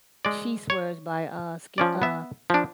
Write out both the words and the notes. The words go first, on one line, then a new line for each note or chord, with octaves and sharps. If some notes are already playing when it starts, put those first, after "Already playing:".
she swears by, uh, ski uh,
G#3 D5
C#5
F3 C#4 D5
B3 E5
F3 D4